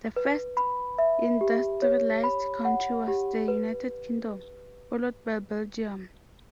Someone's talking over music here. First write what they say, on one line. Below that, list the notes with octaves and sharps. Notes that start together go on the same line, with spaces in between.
The first industrialized country was the United Kingdom, followed by Belgium.
B4
B5
E5
G4
C#5
B5
F#5
G4
B4